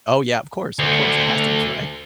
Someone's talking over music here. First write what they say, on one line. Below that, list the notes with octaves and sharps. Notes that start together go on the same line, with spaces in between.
Oh, yeah. Of course, of course, it has to be fried.
D2